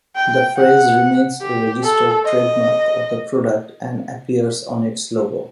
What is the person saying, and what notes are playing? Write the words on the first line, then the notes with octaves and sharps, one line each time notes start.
The phrase remains a registered trademark of the product and appears on its logo.
G5
F#5
G4
A4
D#5